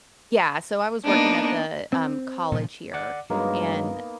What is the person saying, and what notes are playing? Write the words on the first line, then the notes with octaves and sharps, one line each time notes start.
Yeah, so I was working at the, um, college here, and
A#3 B3 D4 D#4
C4
A#2 C#3 F3
D5 F#5 D6
G2 F#3 G#3 A#3 B3 D#4